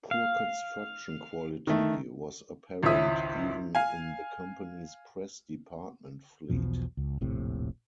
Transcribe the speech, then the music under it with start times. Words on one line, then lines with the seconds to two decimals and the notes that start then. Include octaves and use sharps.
Poor construction quality was apparent even in the company's press department fleet.
0.11 F5
1.67 D#3 A3
2.83 G#1 C#2 C#4 E4 E5 D#6
3.75 F5 G#5
6.49 B1 E2 B2 F3
6.97 C#2
7.21 D#1 A#1 A2 C3